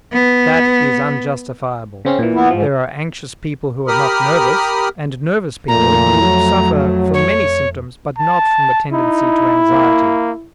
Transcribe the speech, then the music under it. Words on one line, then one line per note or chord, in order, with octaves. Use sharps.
That is unjustifiable; there are anxious people who are not nervous, and nervous people who suffer from many symptoms, but not from the tendency to anxiety.
B3
C#3 C4 C#4
A#2 E3
B3 E4
G#2 F3
G4 A#4 B5 D#6 F6
F2 A#2 A3 A#5
F#3
C#5
A5
D#4 E4
A#3